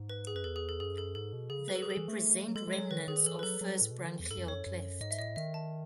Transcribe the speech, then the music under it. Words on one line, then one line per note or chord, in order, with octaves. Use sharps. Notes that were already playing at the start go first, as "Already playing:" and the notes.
They represent remnants of first branchial cleft.
Already playing: G#2
B4
G#4
F#2 B4
E2 A4
G#4
A4
F#2 G#4
A4
G#2 A4
B2
C#3 G#4
B4
A4
G#4
A4
E3
A3
F#3
G#3 A4
G#3
C#5
F#3
D#3 B4
D#3 G#4
E3 A4
B4
F#3 A4
F#3
A2
B2
C#3
D#3
E2
G#2 A4
F#2
E2
F#2 C#5
F#2
G#2 D#5
E5
A2 D#5
D#3 E5
A5